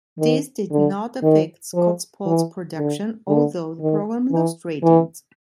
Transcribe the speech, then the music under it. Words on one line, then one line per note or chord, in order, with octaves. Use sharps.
This did not affect "Scotsport's" production, although the programme lost ratings.
D#3
D3
D#3
F3
E3
D3
D3
D#3
E3
E3